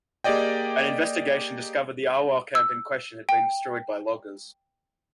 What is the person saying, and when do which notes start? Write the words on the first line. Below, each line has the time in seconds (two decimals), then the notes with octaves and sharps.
An investigation discovered the Awa camp in question had been destroyed by loggers.
0.24 A#3 G4 G#4 D5 D#5 G5
2.55 E6
3.29 G5